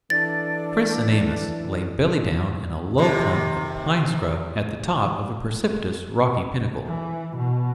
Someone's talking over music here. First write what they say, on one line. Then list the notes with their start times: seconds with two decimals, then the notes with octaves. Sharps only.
Chris and Amos lay belly down in a low clump of pine scrub at the top of a precipitous rocky pinnacle.
0.10 E3 D4 A4 D5 A6
2.98 D#2 C3
6.86 E3
7.38 B2